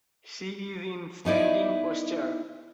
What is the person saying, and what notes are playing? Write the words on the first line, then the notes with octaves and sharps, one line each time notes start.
She is in standing posture.
B3 D#4 E4 D5